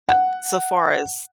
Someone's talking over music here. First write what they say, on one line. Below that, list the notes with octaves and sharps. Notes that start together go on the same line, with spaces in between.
uh, so far as,
F#5